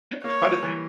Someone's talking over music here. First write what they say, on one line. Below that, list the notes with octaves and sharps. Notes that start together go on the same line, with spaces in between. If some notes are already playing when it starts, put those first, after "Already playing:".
How did
A#3 C#5
G3
E3